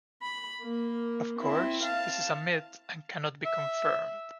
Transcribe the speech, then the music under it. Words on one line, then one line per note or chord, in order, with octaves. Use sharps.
Of course, this is a myth and cannot be confirmed.
B5
A#3
C4 E4
F5 A5
E5